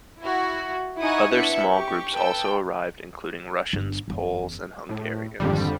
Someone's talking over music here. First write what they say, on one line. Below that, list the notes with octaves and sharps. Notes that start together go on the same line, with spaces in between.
Other, smaller groups also arrived, including Russians, Poles and Hungarians.
E4 F#4
D#4 E4 F#5 G#5 C#6 D#6
B3 D4 E4 E5 C#7
G4 C#6
A4 B4 G5 E6
G1
F#1 E2
A2
D#1 G#1 F2 D3 G3